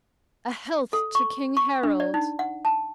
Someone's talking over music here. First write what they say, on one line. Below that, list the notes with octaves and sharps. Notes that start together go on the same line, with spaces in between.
"A health to King Harald!"
A4
C#6
C#6
D4
D5
D#4
F#5
A5